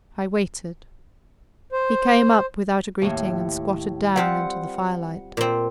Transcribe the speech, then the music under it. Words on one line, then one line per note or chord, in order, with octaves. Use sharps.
I waited. He came up without a greeting and squatted down into the firelight.
C5
D#2 A2
G3 C4 F4 F#5
A#2 C4